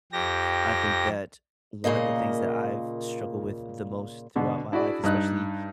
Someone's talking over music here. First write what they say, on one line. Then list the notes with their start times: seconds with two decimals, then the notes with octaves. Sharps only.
I think that one of the things that I've struggled with the most throughout my life, especially
0.12 F2 G4 A#6
1.84 A#2 C#3 A#3 D#5
4.36 B2 D3
4.72 D4 E4 F#4 G#4 D5
5.03 G2 D#4 F#6